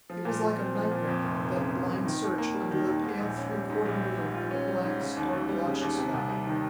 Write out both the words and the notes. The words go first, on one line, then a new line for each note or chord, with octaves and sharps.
It was like a nightmare, that blind search under the pale three-quarter moon and the black, star-blotched sky.
F3
A#2
A#2
C4
F3
A#2
F2
F1
F1
C#3
F2
F1
D#3
D#2
A#3
G3
D#3
D#2
G#2
A#1
C#4
G3
G#2
A#1
G3
G#2
F4
C#4
G3
G#2
C#3
D#2
D#2
G3
C#3
D#2
C3
C2
G3
D#3